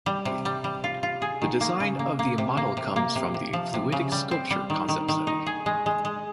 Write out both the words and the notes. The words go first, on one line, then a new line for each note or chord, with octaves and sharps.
The design of the model comes from the Fluidic Sculpture concept study.
G3
C3
G3
G3
F4
F4
G#4
D#3
A#3
C#3
A#3
A#3
C3
A#3
C3
A#3
C3
C3
F3
C3
C#3
G3
C4
G3
D#3
D#3
D#3
D#4
G#4
G#3
G#3
G#3